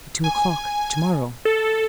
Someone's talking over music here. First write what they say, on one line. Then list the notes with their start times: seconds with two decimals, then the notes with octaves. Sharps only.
"At two o'clock to-morrow."
0.24 G#5
1.45 A4